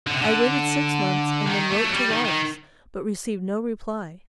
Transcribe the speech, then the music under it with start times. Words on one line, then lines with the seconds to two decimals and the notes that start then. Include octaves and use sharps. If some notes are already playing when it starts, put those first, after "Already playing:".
I waited six months and then wrote to Wallace, but received no reply.
0.07 D3
0.14 C3
0.21 D3
1.46 D#3
1.71 A3
1.85 F#3
1.93 G3
2.09 D#3
2.25 D#3